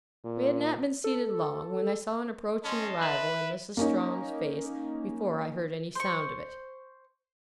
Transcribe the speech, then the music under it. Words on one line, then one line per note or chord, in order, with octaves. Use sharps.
We had not been seated long, when I saw an approaching arrival in Mrs. Strong's face, before I heard any sound of it.
A#2
A4
C#4 D#5 A5 C6
E4 B4
A#3 C#4 D#4
C5 C#6